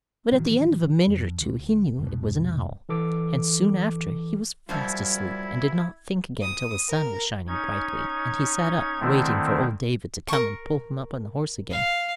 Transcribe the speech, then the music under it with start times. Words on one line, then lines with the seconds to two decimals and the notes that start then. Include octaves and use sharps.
But at the end of a minute or two he knew it was an owl, and soon after he was fast asleep and did not think again till the sun was shining brightly, and he sat up waiting for old David to come and pull him up on the horse again.
0.32 A2 D#3 E3 F#3
1.07 F2
1.41 D2
1.99 F1 C2 G#2 B2
2.89 E3 A4 D6
4.69 F#2 A#2 F3 G3 E4 G#6
6.41 D#6
6.89 A#4
7.47 C#4 D#4 G#6
8.99 D3 D#3 A3 C4 E4
10.28 A#4 C#6
11.70 F5